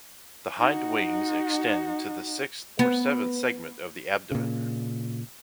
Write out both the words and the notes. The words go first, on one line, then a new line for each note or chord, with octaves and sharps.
The hind wings extend to the sixth or seventh segment of the abdomen.
D#4 F#4
B3
A#2 C#3